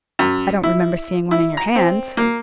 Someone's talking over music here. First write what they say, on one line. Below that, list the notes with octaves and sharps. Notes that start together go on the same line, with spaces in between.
"I don't remember seeing one in your hand."
F#2
E4
E4
A#5
C4
A#3